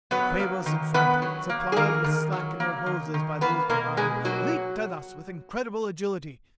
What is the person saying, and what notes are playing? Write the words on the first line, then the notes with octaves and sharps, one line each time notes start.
The Quabos in front, supplied with slack in their hoses by those behind, leaped at us with incredible agility.
F#3 B3 B4
A#3
D#3
D#3 B3 B4
F#3
A#3
G#4
D#3 A#3 A#4
D#3
F#3
A#3
D#3
D#3
A#3 B3 B4
B2 A#3 A#4
B2 G#3 G#4
F#3 A#3 F#4